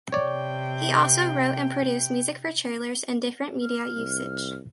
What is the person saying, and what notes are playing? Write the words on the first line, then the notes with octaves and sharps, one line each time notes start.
He also wrote and produced music for trailers and different media usage.
C3 C#5 D5 G5
F6
C2